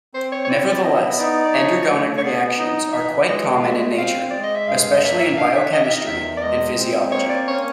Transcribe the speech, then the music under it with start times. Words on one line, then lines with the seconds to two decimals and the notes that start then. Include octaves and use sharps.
Nevertheless, endergonic reactions are quite common in nature, especially in biochemistry and physiology.
0.14 C4 C5
0.32 C#5
0.45 C#5
0.50 E4 D5
0.59 C#5
0.67 D5
0.83 B3 D#5
1.18 D#4 D5
1.45 D5
1.54 F3 C#5
1.88 A3
2.18 C#5
2.23 B3 D5
2.58 D#4 D#5
2.93 E3 E5
3.28 G#3 D#5
3.54 F5
3.63 A3 E5
3.98 C4 F5
4.31 G#3 D5
4.43 D#5
4.55 E5
4.67 G2 F5
4.94 D#5
5.02 A#3 E5
5.20 E5
5.37 D4 F5
5.55 E5
5.72 D#3 D#5
5.84 E5
5.95 D#5
6.07 E2 E5
6.37 D5
6.42 G#3 D#5
6.77 C4
7.12 A#3 C#5
7.29 D5
7.48 C#4 C#5